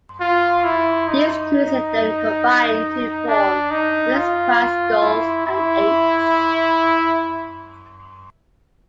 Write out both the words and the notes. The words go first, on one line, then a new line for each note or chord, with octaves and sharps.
These crews then combined to form Mixed Quad Sculls and Eights.
F4
E4
D#4
D4
D#4
F4
E4
E4